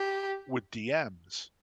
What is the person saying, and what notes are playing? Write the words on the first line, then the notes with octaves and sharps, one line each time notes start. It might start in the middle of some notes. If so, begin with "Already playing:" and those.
with DMs,
Already playing: G4